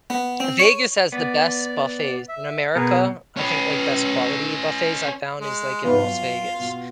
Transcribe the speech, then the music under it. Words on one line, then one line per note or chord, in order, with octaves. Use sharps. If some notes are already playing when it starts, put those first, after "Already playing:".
Vegas has the best buffets in America, I think, like, best quality buffets I found is, like, in Las Vegas.
B3
C4
C#5
B3 D5
E5
B2 G#4 A#4 B4
C#4 B4
G#3
E2 G#2 F4 B4
F#2
B2